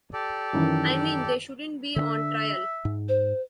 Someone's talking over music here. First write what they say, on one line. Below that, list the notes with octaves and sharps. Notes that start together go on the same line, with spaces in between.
I mean, they shouldn't be on trial.
G4 A4 D5
F#2 D#3 E3
D3 C4 D4 E5
G#2
C5